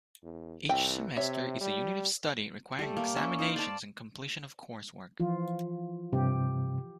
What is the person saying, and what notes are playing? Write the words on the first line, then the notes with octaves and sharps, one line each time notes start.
Each semester is a unit of study requiring examinations and completion of coursework.
E2
C2 E3 G5
C3 C#5 E5
G3
G3 A3
A#3
C#4 E5
D#4 C5 F5
D5 A5
E3 F3 F4
G2 C3 G4